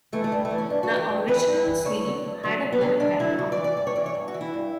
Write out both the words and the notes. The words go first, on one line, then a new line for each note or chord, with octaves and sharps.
The original sleeve had a black background.
E3 A3
A3
G2 G3
A3
E3
C#4
G2 D4
F#4
E3
G4
G2
E3 B4
G2
E3
D2 C#5
D3 F#3
D2
D3 F#3
D2
B3
D3 F#3 C#4
D2 D4
D3 F#3 E4
G2 F#4
D5
E3
D5
G2 D5
C#5
E3 D5
C#5
G2
F#4
E3
E4
G2